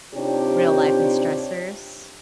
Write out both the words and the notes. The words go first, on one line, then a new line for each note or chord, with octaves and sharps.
real life and stressors.
C3 D4 D#4 F4 G4 C#5